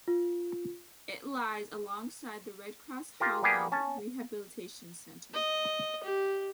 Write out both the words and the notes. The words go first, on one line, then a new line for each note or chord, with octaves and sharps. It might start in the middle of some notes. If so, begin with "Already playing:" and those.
It lies alongside the Red Cross Haugland Rehabilitation Centre.
F4
F4 G4 A#4
G3 A#3 B3 G4 G#4
C#4 A5
D#5
G4